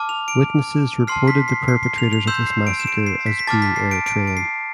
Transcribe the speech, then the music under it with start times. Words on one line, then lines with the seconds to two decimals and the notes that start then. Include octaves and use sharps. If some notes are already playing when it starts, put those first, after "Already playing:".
Witnesses reported the perpetrators of this massacre as being Eritrean.
Already playing: A5 D6 F6
0.09 F7
0.28 D7
1.07 A5 C6 F6 C7
1.28 B6
1.48 C7
1.68 C7
1.83 C7
1.98 F7
2.13 F7
2.27 C6 E6 G6 E7
2.47 C7
2.67 D7
2.80 E7
2.87 D7
3.06 C7
3.26 B6
3.39 B6
3.47 A5 D6 F6 A6
3.62 B6
3.76 C7
3.91 D7
4.06 D7
4.27 D7
4.37 C7